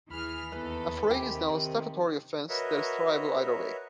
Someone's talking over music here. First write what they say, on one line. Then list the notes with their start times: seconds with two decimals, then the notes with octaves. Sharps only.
Affray is now a statutory offence that is triable either way.
0.11 D#2 E3 G#4 B5 F6
0.52 E2 D#4 A4 B4
1.11 C3 D#3 C4 G4 G#5
2.49 F#4 A#4 B4 C#5 D#5 E5